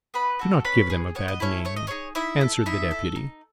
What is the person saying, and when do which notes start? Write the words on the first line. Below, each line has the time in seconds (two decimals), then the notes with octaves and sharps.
"Do not give them a bad name," answered the Deputy.
0.14 B3 B4 B5
0.39 F#4 A4
0.65 C#4 B4 B5
0.90 G#4
1.15 B3 C#5
1.28 D#5
1.40 C#4 E4 A4 C#5
1.65 A3 C#5
1.76 D#5
1.87 C#4 D#4 G#4 C#5
2.15 D#4 E4 E5
2.41 A4
2.66 D#4 E4 E5
2.91 A4
3.16 D#4